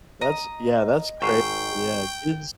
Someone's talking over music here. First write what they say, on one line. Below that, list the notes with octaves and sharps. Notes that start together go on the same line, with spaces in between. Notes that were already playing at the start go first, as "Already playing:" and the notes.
That's yeah, that's crazy, yeah. Kids
D#5 A#5
G#1 G#2 G5 C#6 C7